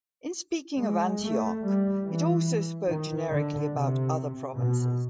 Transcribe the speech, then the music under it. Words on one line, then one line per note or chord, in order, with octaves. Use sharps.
In speaking of Antioch, it also spoke generically about "other provinces".
G#3
A3
G3
E3
D#3
D3
C3
B2